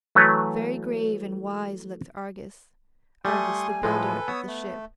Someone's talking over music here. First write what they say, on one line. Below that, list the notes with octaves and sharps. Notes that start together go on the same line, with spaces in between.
Very grave and wise looked Argus--Argus the builder of the ship.
E3 F#3 A3 B4 C#5
G3 A3 G#5 C6 C#6 D#6
A2 F3 G#3 A4 B4
B3 C#5 D#6 E6
A3